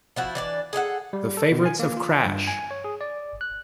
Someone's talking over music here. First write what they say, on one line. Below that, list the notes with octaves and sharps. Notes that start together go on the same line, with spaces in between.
The Favorites of Crash!
F3 E4 F#4
E3 D4 D5
G#4 A4 E5 F#5
G3
A4
B2
G#5
A#3
F4
G2
G#5
C#5
G#4
D5
F#6